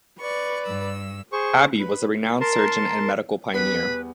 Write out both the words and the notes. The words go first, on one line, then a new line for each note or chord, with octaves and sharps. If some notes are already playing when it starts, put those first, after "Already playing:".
Abbe was a renowned surgeon and medical pioneer.
B4 D5 C#6
G2 E6
G#4 C5 C#6
B4
A#4 A5 C6
E2 G3 B3 B4 B5